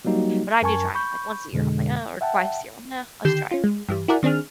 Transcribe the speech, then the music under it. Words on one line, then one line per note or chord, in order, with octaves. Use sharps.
But I do try, like once a year, I'm like uh, or twice a year, I'm "Eh, let's try it."
F#3 G3 A#3 D#4 F#4 G4
F#2 A#4 G#5 A5 C#6 G#6
B5 C#6 G6
F2 B2 D3 G#3
E5 F#5 G5 A5
D3 D#3 G4 G6 C7 E7
C#4 F4
G#3
G2 E3 G3
E4 F#4 G#4 A#4 D5 F#5
D#3 C4 D4 G#4 F6